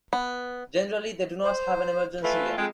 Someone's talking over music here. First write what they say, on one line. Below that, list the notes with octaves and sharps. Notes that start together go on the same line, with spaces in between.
Generally, they do not have an emergency lane.
B3
C5
E3 A3 F4 B4
F2 G#3 G5